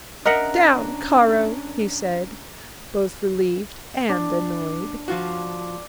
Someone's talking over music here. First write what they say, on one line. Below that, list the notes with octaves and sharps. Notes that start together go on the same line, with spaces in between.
'Down, Caro!' he said, both relieved and annoyed.
C#4 D4 A#4 D#5 E5 F#5 A#5 F#6
D4
F3 F4 F#4